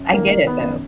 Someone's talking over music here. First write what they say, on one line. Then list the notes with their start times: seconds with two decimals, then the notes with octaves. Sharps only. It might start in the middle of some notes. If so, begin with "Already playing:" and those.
I get it though.
Already playing: F#2
0.14 D#3 A#3
0.36 D#3
0.47 B3
0.58 F#2